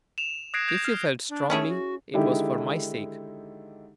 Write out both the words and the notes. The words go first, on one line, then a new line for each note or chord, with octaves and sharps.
If you felt strongly, it was for my sake.
E7 F7
D#6 F#6 G#6 A#6 C7 D7
G6 G#6 A#6 D7 F7
F6 C7
D4
A3 C#4 E4 G#4
F#4
D3 D#3 G#3 D#4 E4 G4